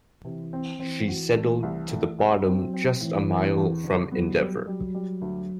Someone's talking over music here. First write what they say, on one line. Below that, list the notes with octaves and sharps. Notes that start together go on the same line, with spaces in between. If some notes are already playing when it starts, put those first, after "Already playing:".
She settled to the bottom just a mile from "Endeavour".
C3 E3
C4
E3 C4
F#4
A3
C2
A3
C2
F#3 C4
C4
A2 E3
C4
E2
D3
F#3 B3
G3
F#3 G3
G3
D2